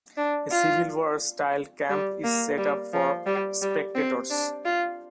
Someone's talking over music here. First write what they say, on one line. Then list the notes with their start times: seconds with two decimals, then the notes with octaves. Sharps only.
A Civil-War style camp is set up for spectators.
0.17 D4
0.51 F4
1.90 G3
2.24 A#3
2.58 G3
2.93 F3
3.26 G3
3.62 G3
3.95 C4
4.30 D4
4.65 F4